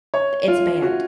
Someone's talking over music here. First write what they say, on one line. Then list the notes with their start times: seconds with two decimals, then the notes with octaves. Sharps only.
it's banned.
0.14 C#5
0.48 F4
0.82 F#4